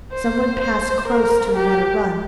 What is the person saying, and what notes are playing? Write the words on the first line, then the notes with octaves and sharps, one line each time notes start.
Some one passed close to him at a run.
C5
C5
A#4
G4